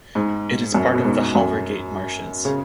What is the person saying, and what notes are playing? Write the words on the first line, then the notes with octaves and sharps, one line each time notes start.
It is part of the Halvergate Marshes.
G#2
F#2
B2
G#2
F#2
C#3